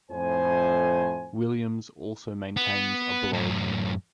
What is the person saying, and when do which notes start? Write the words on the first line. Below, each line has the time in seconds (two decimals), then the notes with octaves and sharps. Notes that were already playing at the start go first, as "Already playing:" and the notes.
Williams also maintains a blog.
0.11 F2 A2 C5 G#5
2.57 B3
3.33 F#2 A2